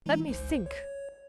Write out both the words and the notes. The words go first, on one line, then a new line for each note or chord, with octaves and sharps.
"Let me think."
E3 G#3 D#4
G1 C#2 C5
C#5